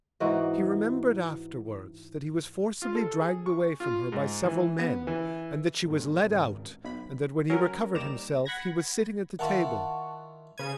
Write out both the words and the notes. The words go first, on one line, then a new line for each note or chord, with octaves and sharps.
He remembered afterwards that he was forcibly dragged away from her by several men, and that she was led out, and that when he recovered himself he was sitting at the table.
G#2 E3 D#4 F#4
F4
A4
G#4
C#6
F4
G#2
E3
B3
E3
G1 A2
G#1 C#2
B1 B5
F#3 C#4 F#4 A#4
D#2 G3 A#5 D6 E7
F#5 B5 F#6 G#6 A#6
D#3 E4 F4 F#5 A5 C#6
C#3 G#6 D#7